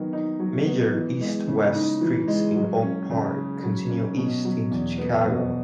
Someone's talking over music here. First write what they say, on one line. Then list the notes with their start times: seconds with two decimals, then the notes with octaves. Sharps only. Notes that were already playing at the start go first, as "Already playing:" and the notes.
Major east-west streets in Oak Park continue east into Chicago.
Already playing: D#3 F#3 B3
0.13 D#4
0.39 F#3
0.67 B3
0.93 E3
1.21 G#3
1.47 C#3
1.74 D#4
2.01 E3
2.28 G#3
2.55 F#3
2.82 C#4
3.10 C#3
3.36 G#4
3.63 F#3
3.90 C#4
4.17 B2
4.45 F#3
4.71 E2
4.98 B3
5.26 B2